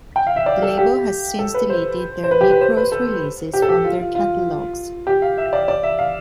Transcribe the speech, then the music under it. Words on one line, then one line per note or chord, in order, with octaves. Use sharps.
The label has since deleted their Necros releases from their catalogue.
G5
F5
E5
D5
A4
G4
A4
B4
C5
C5
B4
G4
B4
C5
B4
A4
G4
A4
G4
F4
F4
F4
G4
F5
E5
D5
D5
E5
F5